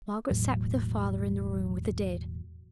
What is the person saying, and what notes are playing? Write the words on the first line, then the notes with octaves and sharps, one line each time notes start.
Margaret sate with her father in the room with the dead.
E1 A2 F#3